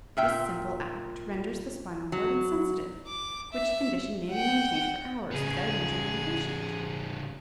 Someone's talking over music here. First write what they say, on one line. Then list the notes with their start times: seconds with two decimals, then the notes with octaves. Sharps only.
This simple act renders the spinal cord insensitive, which condition may be maintained for hours without injuring the patient.
0.17 A#2 E5 G5
2.12 F#3
3.07 D6
3.52 E5
4.31 F#5 G5
5.31 C#3 B3 G#4